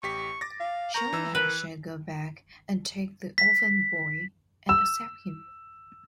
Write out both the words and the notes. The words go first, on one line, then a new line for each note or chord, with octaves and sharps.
Surely I shall go back and take the orphan boy and accept him.
A1 G4 C#6 B6
D6 A6 A#6
F5
A#4 A#5 C#6 G6
E3 E6 E7
A#4 B4
B6
E6